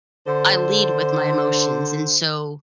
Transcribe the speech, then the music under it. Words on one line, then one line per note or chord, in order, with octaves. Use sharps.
I lead with my emotions, and so,
D3 C5